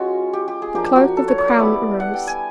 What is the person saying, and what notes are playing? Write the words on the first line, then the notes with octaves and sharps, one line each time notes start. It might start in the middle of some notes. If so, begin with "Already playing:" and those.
The Clerk of the Crown arose.
Already playing: G#3 C#4 F4 F#4
G4
G4
G#4
F3 A#3 D4 G4
F#4
A4
C#5
C#5
D5
G3 B3 E4
F#5
G5
G#5